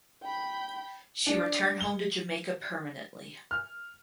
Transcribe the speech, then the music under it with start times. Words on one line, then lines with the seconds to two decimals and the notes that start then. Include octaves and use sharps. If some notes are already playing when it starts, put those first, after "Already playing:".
She returned home to Jamaica permanently.
0.23 G5 B5
1.26 D4
1.81 G7
3.51 F6